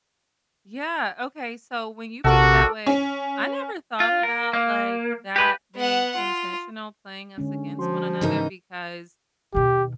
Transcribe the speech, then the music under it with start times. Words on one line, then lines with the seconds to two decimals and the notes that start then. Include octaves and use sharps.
Yeah, okay. So when you put it that way, I never thought about, like, that being intentional playing us against one another because,
2.24 A#1 C3 F#4 A4 A#4 D6
2.86 C#4
4.00 F4
4.23 A#4
4.53 A#3
5.36 G4 B4
5.76 B3 F#5
6.15 F4
7.38 D3 G#3 C#4
7.78 F3 F#4 C6
8.21 G#2 C#3 E3 D#4 A#4
9.54 D#2 B2 G4